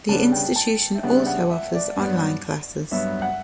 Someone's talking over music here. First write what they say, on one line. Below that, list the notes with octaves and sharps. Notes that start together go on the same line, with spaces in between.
The institution also offers online classes.
C#3 G3 B3 D4 A5
G5
A5
E5
C#3 G3 B3 D4 F#5
E5
F#5
E5
D5
G2 F#3 B3
G2 F#3 B3 E5
F#5